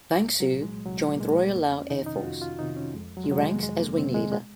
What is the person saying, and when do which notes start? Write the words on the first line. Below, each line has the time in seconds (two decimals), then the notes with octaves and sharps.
Vang Sue joined the Royal Lao Air Force He ranks as Wing Leader.
0.16 C2
0.40 F#3
0.51 A#2
0.62 G#3
0.85 C2 F#3
1.16 A#3
1.20 A#2 G#3
1.55 F2 A#3
1.73 C#4
1.90 C3 D#3 D#4
2.06 D#4
2.16 F4
2.24 F2 F#4
2.41 F4
2.59 C3 D#3 D#4
2.76 C#4
2.93 F2 G#3
3.17 F#3
3.24 G#3
3.28 C3 D#3 F#3
3.40 G#3
3.62 F2 G#3
3.80 A#3
3.97 C3 C4
4.02 D#3
4.14 G#3
4.32 G#3